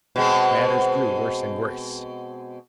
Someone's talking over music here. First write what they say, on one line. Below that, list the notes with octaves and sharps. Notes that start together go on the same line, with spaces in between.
Matters grew worse and worse.
B2 G#3 C4